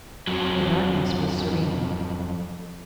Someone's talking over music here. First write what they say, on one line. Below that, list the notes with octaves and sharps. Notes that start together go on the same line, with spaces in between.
The darkness was serene.
F2 F#3